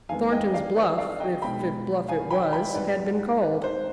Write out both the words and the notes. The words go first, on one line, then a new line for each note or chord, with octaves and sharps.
Thornton's bluff, if bluff it was, had been called.
F2 D#3 G#3 B3 F5 G#5
D#5 G5
D5 F5
B4 D5
D5 F5
D#5 G5
B1 B2 G#3 G5 B5
F5 G#5
G5 B5
G5 B5
G#1 G#2 G3 B4 D5
B4
C5